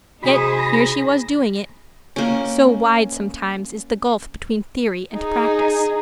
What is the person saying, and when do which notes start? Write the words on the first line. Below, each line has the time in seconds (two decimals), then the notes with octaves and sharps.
Yet here she was doing it . . . so wide sometimes is the gulf between theory and practice.
0.23 A1 C3 D#4 F#4 G#4 C5 B5
0.57 B5 A#6
2.16 A#3 C#4
5.14 D#4 G#4